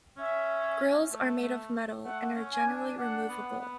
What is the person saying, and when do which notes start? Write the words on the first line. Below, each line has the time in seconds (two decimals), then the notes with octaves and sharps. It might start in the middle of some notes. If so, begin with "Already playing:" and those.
Grills are made of metal and are generally removable.
0.17 C#4 E5
1.11 A3
1.43 A3
2.04 A3 F#5
2.36 C#4
2.51 G#5
2.67 D4
2.98 D4 F#5
3.29 B3
3.60 B3